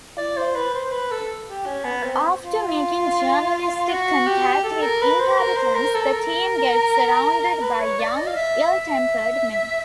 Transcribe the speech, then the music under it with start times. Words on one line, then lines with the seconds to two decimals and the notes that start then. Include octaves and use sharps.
After making journalistic contact with inhabitants, the team gets surrounded by young, ill-tempered men.
0.18 D5
0.37 C5
0.56 B4
0.74 C5
0.86 C5
0.92 B4
1.11 A4
1.49 G4
1.66 C#4
1.85 B3
2.03 C4
2.40 F4
3.89 F#4
4.27 G4
4.64 A4
4.82 A#4
5.02 B4
5.20 C5
5.39 A#4
5.56 C5
5.75 A#4
5.95 A4
6.13 A#4
7.62 B4
7.80 C#5
7.99 D5
8.17 D#5
8.27 F5
8.36 E5
8.73 E5